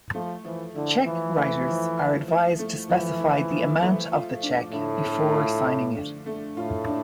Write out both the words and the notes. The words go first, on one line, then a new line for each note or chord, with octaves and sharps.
Cheque writers are advised to specify the amount of the cheque before signing it.
F3 A3
E3 F3
D3 E4
E3 F3
A3
F3
E4
F3
A3
E3 F3
E4
F3
A3
F4
D4
A2 D3
A3
F4
D4
D3
A3
A2 F4
D4